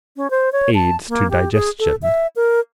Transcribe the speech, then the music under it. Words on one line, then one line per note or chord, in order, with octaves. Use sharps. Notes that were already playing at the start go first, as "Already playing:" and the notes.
Aids to digestion.
C#4
C5
C#5
A5
A#3
G4
G#4
A4
E5
A#4